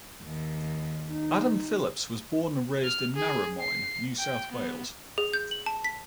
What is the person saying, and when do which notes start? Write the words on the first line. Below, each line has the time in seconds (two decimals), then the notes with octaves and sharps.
Adam Phillips was born and raised in Narromine, New South Wales.
0.23 D#2
1.11 D#4
2.85 F6
3.16 G#4
3.61 C7
4.19 G5
4.52 B3
5.18 G#4
5.34 G6
5.51 F#7
5.66 A5
5.84 B6